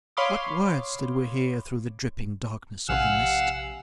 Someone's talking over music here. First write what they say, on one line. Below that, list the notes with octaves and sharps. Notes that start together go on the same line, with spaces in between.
"What words did we hear through the dripping darkness of the mist?"
C#5 F5 B5 C6 D6 D#6
A#1 C3 F5 F#5 G#5 E6